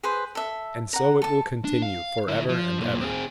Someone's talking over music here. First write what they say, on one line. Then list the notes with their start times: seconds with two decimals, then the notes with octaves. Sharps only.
And so it will continue for ever and ever.
0.03 G#4 B4 C5
0.35 A4 E5
0.93 F#5 A#5
1.22 A4 A5
1.65 D4
1.82 F5
2.28 D2 E4
2.49 F3
2.78 B1 A#2
3.01 C4 G#4